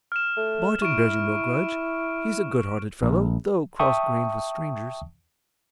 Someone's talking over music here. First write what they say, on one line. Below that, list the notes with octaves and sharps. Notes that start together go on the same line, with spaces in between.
Barton bears you no grudge. He's a good-hearted fellow, though cross-grained with strangers.
F6 E7
A3
E4 C#6 D7
A#1
E5 G5 A5 C#6 D#6